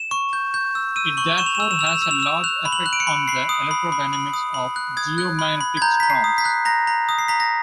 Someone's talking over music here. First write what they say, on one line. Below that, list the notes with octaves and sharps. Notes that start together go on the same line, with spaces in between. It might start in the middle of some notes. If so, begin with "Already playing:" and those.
It therefore has a large effect on the electrodynamics of geomagnetic storms.
Already playing: E7
C#6
G6
G6
E6
E6 D#7
C#6 F#7
C#6 E7
F7
E7
E6 F7
E7
E6 F7
E7
F7
E6 E7
F7
E6 E7
F#6 F7
B5
F#7
F#6
D7
C#7
B5
B5 C7
D#6
B5
B5
B5
D#6
B5
F#6
D#6 G#6
F#6
B5
B5
G#6
A#5 G6
A#5 B6
C7
D#6
B6
F#6
A#5 A#6
A#5
D#6
C7
A#5 B6
A#6